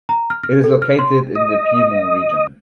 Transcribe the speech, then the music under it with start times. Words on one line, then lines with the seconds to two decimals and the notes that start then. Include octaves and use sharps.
It is located in the Piedmont region.
0.09 A#5
0.30 F6
0.43 F6
0.64 A4
0.82 F6
0.99 C6
1.35 D#5